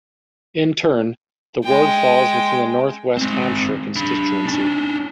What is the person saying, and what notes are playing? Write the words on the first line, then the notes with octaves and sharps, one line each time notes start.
In turn, the ward falls within the North West Hampshire constituency.
G#3 G5
G#3 C4
D4 B5
C#4 D4